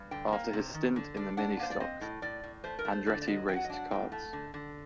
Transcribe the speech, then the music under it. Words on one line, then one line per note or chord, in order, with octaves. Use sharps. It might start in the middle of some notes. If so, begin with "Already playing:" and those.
After his stint in the Mini Stocks, Andretti raced karts.
Already playing: G2
D3 G5
A#3
C3
D#3
D3
D4
D4 F#5
A#3 C5
D5
C4 D#5
A2
A2 D5
A2
A3 C5
A#4
A3
C5
D3 D5
D5
F#3 D#5
F#3 G5
F#5
D#5
D4 F#5
A2 G5
A3 A5
D3
D3